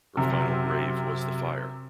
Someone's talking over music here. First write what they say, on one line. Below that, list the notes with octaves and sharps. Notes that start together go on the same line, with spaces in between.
Her final grave was the fire.
F#2 C3